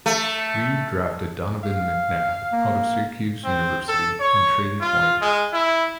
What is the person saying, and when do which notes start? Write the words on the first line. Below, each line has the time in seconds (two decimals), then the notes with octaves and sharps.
Reid drafted Donovan McNabb out of Syracuse University, and traded Hoying.
0.06 A3
1.64 F5
2.52 A#3
3.45 C4
3.89 A4
4.20 C#5
4.81 F4
5.21 G#3
5.53 E4